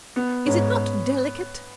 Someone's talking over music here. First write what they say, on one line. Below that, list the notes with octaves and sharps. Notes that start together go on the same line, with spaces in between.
Is it not delicate?
B3
G#2 C#4